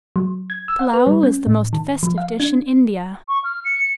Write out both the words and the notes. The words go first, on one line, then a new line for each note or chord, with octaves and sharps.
Pullao is the most festive dish in India.
F#3
G#6
E6
F#5
B4
G3
C#4
A2
D#3
F3
F5
D4
C#6
F6
C#7